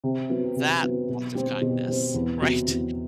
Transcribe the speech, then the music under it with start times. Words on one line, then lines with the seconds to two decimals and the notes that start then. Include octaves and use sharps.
That act of kindness. Right?
0.04 C3
0.30 F#3 B3
0.56 C3
0.83 F#3 B3
1.09 B2
1.35 G3 C4
1.62 B2
1.88 G3 C4
2.14 E2
2.41 C3 F#3 B3
2.68 E2